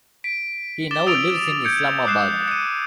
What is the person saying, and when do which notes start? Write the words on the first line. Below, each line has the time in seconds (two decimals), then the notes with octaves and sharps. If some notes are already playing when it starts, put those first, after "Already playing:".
He now lives in Islamabad.
0.24 B6 D7
0.91 D6 A6 E7 G7
1.07 D#6 E6 A6 D7 F7
1.64 G6 G#6 C#7 D7
2.05 D6 D#6 F#6 C7 E7
2.48 C#7 D#7